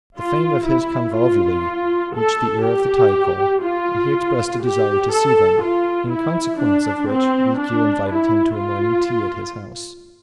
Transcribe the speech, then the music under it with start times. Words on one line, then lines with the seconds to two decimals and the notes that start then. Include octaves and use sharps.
The fame of his convulvuli reached the ear of the Taiko, and he expressed a desire to see them, in consequence of which Rikiu invited him to a morning tea at his house.
0.17 F4
0.66 E4
1.16 F4
2.15 A4
2.64 G4
3.63 F4
4.62 G4
5.12 A4
5.62 F4
6.11 E4
6.60 D4
7.10 C4
7.59 D4
8.09 E4
8.58 F4